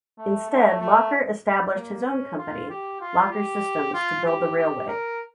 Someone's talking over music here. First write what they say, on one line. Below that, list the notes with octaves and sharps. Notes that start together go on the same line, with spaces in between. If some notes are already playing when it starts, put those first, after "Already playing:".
Instead, Locher established his own company "Locher Systems" to build the railway.
A3
A3
A3
A#3
C#4
F4
G4
F4
G4
F4
G4
G4
A#4